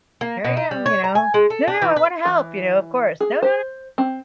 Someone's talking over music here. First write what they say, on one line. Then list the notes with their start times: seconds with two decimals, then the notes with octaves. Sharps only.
here I am, you know? "No, no, I wanna help," you know, of course. "No, no, no,
0.21 A#3
0.45 B2
0.57 D#4
0.71 G3
0.86 C#5
1.04 A#5
1.15 G#5
1.34 G#3
1.50 A4
1.68 D4
1.82 E3
1.96 B4
2.25 E3
3.20 G#4
3.42 C5
3.98 C4